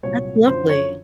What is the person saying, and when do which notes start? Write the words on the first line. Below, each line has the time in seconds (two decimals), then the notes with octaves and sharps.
That's lovely.
0.03 C2 A#2 F#3 C#5
0.47 F#2 D3 F3 C5
0.70 C#5